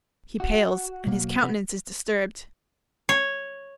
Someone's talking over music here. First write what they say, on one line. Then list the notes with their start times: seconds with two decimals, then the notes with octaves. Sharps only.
He pales, and his countenance is disturbed.
0.40 F#4
1.07 B2 F#3 A#3
1.40 C3 B3
3.09 C#5